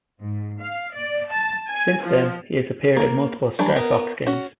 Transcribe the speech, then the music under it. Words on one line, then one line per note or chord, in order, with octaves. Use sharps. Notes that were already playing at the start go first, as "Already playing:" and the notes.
Since then, he has appeared in multiple "Star Fox" games.
G#2
F5
D5
A5
G#5
F3
A#3 A#4
E3 F#3 G3 D4
B3 A#4
C#4 F#4